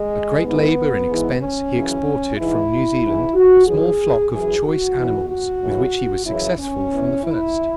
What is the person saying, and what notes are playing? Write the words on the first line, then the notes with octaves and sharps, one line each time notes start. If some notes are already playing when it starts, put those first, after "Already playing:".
At great labour and expense he exported from New Zealand a small flock of choice animals, with which he was successful from the first.
Already playing: G#3
G#2 E3 B3
G#2 E3
C#4
F#2 C#3 E3
G#2 E3 E4
G#2 E3
F#4
F#2 E3 G#4
F#2 E3 G#4
F#4
F#2 E3
F#4
F#2 C#3 E3
F#2 C#3 E3 E4
C#4
E2 E3
E4